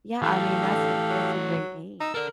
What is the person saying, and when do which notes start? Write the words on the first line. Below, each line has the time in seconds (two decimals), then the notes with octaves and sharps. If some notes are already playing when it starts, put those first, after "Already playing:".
Yeah, I mean, that's a that's a great age.
0.22 E3 A3 G4 A4 F5
0.62 D3
1.10 F#3
2.01 D#4 E6
2.15 A4 A#4 D5